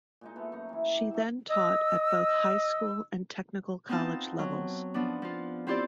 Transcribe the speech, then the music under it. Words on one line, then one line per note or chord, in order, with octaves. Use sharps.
She then taught at both high school and technical college levels.
A#2 G#3 D#4
A3 B3 A4
F#2 A#5 C#6
E3 E4
G4
A3 A#3 E5
D#5 E6
B3 C4 D#4 F4 A5
F#3
F3 B3 D4
F3 F4
C4 E4 F4 G4 C5 D5